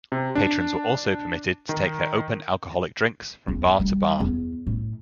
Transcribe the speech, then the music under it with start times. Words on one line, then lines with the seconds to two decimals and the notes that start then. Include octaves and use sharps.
Patrons were also permitted to take their open alcoholic drinks from bar to bar.
0.12 C3
0.35 D4
1.69 D#3
3.48 E2
3.80 G3
4.20 E2
4.67 A2